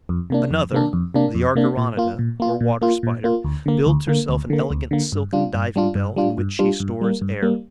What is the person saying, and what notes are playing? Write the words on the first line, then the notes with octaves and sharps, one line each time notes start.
Another, the Argyroneta, or Water Spider, builds herself an elegant silken diving-bell, in which she stores air.
F2
C3 A#3 D4
F2
C3 A#3 D4
F2
C3 A#3 D4
F2
C3 A#3 D4
A#2
A#3 F4
A#2
A#3 F4
A#2
A#3 F4
A#2
A#3 F4
D2
D3 A#3
D2
D3 A#3
D2
D3 A#3
D2
D3 A#3
G2
G3 D4 F4
G2
G3 D4 F4
G2
G3 D4 F4
G2
G3 D4 F4
G2
G3 A#3
G2
G3 A#3